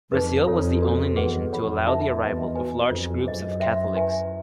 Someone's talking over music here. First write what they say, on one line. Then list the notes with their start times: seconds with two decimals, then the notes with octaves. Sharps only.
Brazil was the only nation to allow the arrival of large groups of Catholics.
0.12 F2 D#4 G#4 B4
0.46 F2 F4 A4 C#5
0.82 D4 F#4 A4
1.16 E2 G#4 B4 D#5 F#5
1.51 F2 A4 C#5 F#5 B5
1.86 D#4 F#4 B4 E5 A5
2.21 E2 B4 D#5 G5 C6
2.55 F#4 B4 D#5 G#5
2.90 F2 D4 F4 A4 C5
3.25 F#2 G#4 C5 D#5
3.60 C5 E5 G5 C6
3.94 E4 G4 B4 E5 G#5